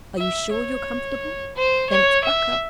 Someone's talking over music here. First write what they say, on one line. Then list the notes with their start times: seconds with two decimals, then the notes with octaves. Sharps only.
Are you sure you're comfortable?' Then it's 'Buck up!
0.18 E5
0.51 C#5
1.55 C5
1.89 C#5
2.24 E5